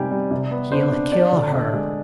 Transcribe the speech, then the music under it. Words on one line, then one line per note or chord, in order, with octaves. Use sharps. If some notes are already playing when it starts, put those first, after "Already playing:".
"He'll kill her!"
Already playing: C3 G3 D#4 G5 G#5
G3
C3 D5
B3
D4 C5
D4
D4 D5
D3
D4 D#5
G#3